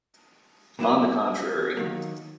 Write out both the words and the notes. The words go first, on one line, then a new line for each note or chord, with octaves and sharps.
On the contrary.
A#2 F#3 A#3 E4 B4
D#3 F#3 A#3